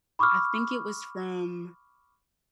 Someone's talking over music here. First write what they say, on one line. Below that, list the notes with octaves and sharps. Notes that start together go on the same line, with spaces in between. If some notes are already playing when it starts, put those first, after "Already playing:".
I think it was from,
B5 C#6 D6 E6 F6